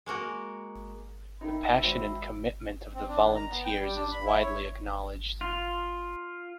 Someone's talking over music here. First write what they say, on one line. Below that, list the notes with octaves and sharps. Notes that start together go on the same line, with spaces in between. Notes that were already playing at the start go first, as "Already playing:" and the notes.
The passion and commitment of the volunteers is widely acknowledged.
G#3 A#3 F#4 A#4
D#3 D#4 E5 G5 B5
G#1 F#4 C5
C4
D4
D#3
A#5
B3
G5
G3
D4
B5
E4
C#5
F4